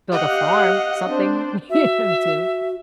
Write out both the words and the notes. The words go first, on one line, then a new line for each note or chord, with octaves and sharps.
build a farm, something here, too.
G4 D#5 F5 F#5
C4 D4 C5
F#4 E5